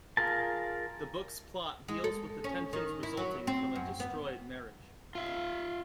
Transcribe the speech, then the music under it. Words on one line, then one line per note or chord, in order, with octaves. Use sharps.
The book's plot deals with the tensions resulting from a destroyed marriage.
F4 G#4 A#4 A5
G#3
A4
C#4
D#3
E4
F#3
C4
F#2
B3
F4 E5